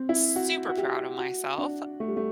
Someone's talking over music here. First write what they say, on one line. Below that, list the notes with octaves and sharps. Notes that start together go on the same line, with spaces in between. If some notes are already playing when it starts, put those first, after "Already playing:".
super proud of myself,
Already playing: C4
E4
F#4
F#4
G4
F#4
D4
A3
G3
A3